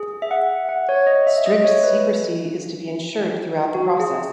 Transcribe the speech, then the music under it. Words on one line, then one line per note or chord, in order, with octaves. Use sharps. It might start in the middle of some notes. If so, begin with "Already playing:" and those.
Strict secrecy is to be ensured throughout the process.
Already playing: G#4
E5
F#5
F#5
C#5
D#5
E5
D#5
D#5
C#5
B4
F#4
G#4